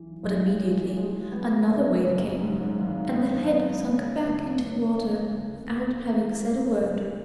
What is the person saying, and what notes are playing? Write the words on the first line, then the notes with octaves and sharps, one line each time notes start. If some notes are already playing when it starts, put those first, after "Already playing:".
But immediately another wave came, and the head sank back into the water without having said a word.
Already playing: B1 E3
B1
E3
G#3
B3
C#3
F#2
G#2
G#1
B3
B3
C#3
D2
C#3
B3
D2
D2
E3
C#3
B1